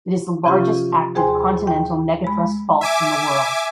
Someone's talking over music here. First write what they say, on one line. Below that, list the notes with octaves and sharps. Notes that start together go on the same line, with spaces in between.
It is the largest active continental megathrust fault in the world.
C3 E3 F3 C#4 F4 G4
D#2 G#4 C5 G5 G#5 C6
G5
G#3 B5
E5 G#5 D6